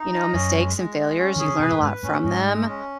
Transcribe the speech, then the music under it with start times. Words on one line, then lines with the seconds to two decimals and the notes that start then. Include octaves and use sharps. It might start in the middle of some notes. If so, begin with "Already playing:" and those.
you know, mistakes and failures, you learn a lot from them.
Already playing: D#4
0.12 D#5
0.33 F#2 C#4
0.55 G#3
0.76 G#3
0.97 G#3
1.18 C#4
1.36 D#3 G#4
1.48 C#3
1.59 B2 B4
1.71 A2
1.82 G#2 B4
2.03 A2 C#4
2.24 G#2 G#3
2.46 G#3
2.68 C#4